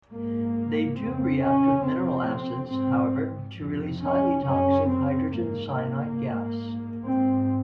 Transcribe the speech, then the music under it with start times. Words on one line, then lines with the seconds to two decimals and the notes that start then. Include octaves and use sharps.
They do react with mineral acids, however, to release highly toxic hydrogen cyanide gas.
0.10 G#2 A#3
0.97 F2 C#3 C4
1.41 C#4
1.83 F2 C3 C4
2.70 G#2 C4
3.58 F2 C3
4.00 C#4
4.44 F#2 C#3 C#4
4.87 C4
5.30 G#2 A#3
5.74 A#3
6.17 G#2
7.04 G#2 C4